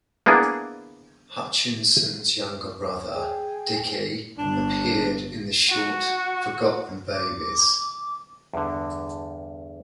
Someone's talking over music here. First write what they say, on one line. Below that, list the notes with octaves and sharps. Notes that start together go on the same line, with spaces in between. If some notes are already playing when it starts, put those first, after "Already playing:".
Hutchins's younger brother Dickie appeared in the short "Forgotten Babies".
A#3 B3 D4 E4 G#4
G#4 G5 G#5
G1 D4
F#4
D6
E2 G2 D3